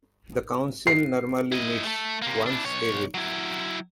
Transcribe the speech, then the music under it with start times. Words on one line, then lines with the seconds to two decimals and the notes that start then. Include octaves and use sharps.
The Council normally meets once a week.
0.87 C7
1.52 E4 D#5
1.84 A3 A4
2.22 C3 A#3
2.46 D4 E4
2.65 B1 C#5
3.14 F#3 E4